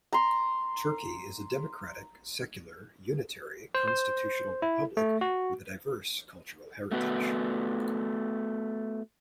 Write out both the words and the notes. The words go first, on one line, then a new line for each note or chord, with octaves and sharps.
Turkey is a democratic, secular, unitary, constitutional republic with a diverse cultural heritage.
A#5 C6
C5
C5
E4
A3
F#4
A3 B3 F#4 B4